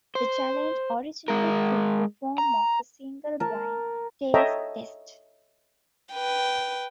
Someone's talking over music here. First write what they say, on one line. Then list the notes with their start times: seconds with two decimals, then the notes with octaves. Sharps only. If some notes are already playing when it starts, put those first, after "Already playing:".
The challenge originally took the form of a single blind taste test.
0.15 C5
1.28 G#3 A#4
2.38 A#5
3.40 A#4 A5
4.34 A4 C#5 D#5 E5 G5 A#5
6.13 B4 G5